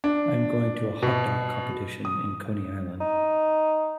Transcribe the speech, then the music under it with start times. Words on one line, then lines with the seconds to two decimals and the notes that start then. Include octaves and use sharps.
I am going to a hotdog competition in Coney Island.
0.04 D4
1.02 B2
2.05 D#6
3.01 D#4